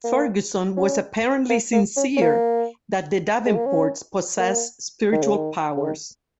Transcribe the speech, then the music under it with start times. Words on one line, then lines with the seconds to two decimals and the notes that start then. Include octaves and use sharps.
Ferguson was apparently sincere that the Davenports possessed spiritual powers.
0.04 A#3
0.76 C#4
1.49 A#3
1.73 A#3
1.97 C#4
2.17 C#4
2.21 A#3
3.46 G#3
3.55 A#3
3.66 C#4
4.39 A#3
5.12 D#3
5.23 C#3
5.35 D#3
5.77 C#3
5.84 D#3